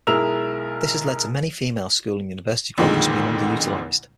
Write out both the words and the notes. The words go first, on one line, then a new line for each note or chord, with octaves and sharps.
This has led to many female school and university graduates being under-utilized.
B1 G#3 E4 A#4 E6 F7
A1 F2 A#2 D3 D#3 G#3